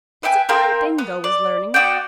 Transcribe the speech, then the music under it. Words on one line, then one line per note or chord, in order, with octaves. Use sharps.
'It's a fine thing, tho', is learning.
B4 E5 G5 G#5
C4 F4 A#4 G5
B3
D5
B3 F#4 D5 G5